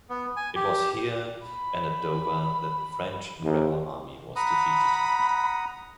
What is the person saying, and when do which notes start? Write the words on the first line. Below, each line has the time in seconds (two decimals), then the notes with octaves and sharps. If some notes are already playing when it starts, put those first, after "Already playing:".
It was here and at Dover that the French and Rebel army was defeated.
0.10 B3
0.36 G#5
0.56 G4
1.45 B5
3.44 D#2
4.36 F#5 A#5 B5 D#6